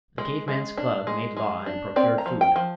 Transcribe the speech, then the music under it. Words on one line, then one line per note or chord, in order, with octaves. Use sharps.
The cave man's club made law and procured food.
G#3
G#3
D4
G#3
G#3
D4
C4 D5
A#5
F3
G5
F3